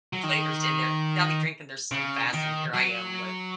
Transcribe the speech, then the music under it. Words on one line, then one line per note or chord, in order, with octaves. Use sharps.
flavors in there. They'll be drinking their SlimFast, and here I am with
F#3
D#3
C#3
D#3
F#3